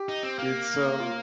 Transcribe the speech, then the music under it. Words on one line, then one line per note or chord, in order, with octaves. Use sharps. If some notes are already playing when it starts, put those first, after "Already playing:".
it's, um,
Already playing: G4
D#4
C4
A#3
F4